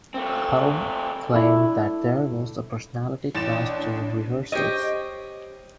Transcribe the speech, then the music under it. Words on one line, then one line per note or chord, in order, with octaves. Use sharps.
Helme claimed that there was a personality clash during rehearsals.
A3 C4
A3 D4 E4
A1 D4 A6 E7
G4 C5 C#5 D#5